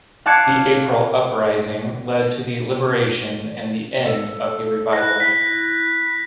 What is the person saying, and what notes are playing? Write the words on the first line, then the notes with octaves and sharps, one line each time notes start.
The April Uprising led to the liberation and the end of the Revival.
F5 A5 D6 F#6 G#6 C#7
A4
E4 F#6 A#6
E4 B6